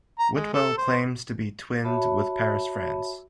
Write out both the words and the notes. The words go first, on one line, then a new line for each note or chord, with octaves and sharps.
Whitwell claims to be twinned with Paris, France.
A#5
G#3
A4
C5
F#4 C#5 E5 A5 B5